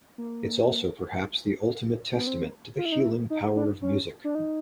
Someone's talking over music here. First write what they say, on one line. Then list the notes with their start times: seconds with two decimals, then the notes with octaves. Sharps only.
It's also perhaps the ultimate testament to the healing power of music.
0.18 A#3
2.16 B3
2.27 C4
2.78 F4
2.85 E4
2.92 D#4
3.00 E4
3.30 D#4
3.56 D4
3.82 C#4
4.24 D4
4.35 D#4